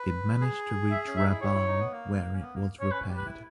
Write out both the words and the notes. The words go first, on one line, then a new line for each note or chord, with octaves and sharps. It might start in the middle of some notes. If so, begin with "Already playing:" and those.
It managed to reach Rabaul, where it was repaired.
Already playing: B4
G#4
E5
C#4
D#4 E5
E4
G4 C#5
E4
D#4
B3
A#3
C#4
B3
A#3
C#4 C#5
C#4 B4
G4
B4
E4